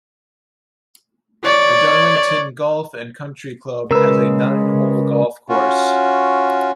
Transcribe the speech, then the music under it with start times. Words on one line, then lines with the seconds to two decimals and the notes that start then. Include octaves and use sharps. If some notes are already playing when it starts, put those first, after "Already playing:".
The Darlington Golf and Country Club has a nine-hole golf course.
1.44 C#5 D5
3.91 C#3 G#3 A#4 B4 E6
5.49 C#4 F4 F#4